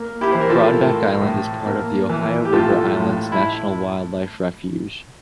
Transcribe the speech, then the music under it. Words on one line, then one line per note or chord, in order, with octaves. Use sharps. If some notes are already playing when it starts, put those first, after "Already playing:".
Broadback Island is a part of the Ohio River Islands National Wildlife Refuge.
Already playing: A#3
E4 G4
E3 C5
A#4
F4 A4
A2
A2
A#3
E3
G4
A2 F4 A4
A2
E4